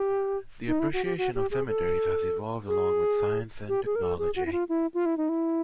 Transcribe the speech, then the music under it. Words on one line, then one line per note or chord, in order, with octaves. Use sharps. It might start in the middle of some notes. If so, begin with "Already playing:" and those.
The appreciation of cemeteries has evolved along with science and technology.
Already playing: G4
D#4
E4
F#4
G4
F#4
G4
G#4
A4
G#4
G4
G#4
A#4
A4
G#4
F#4
E4
F4
E4
F4
E4
D#4
E4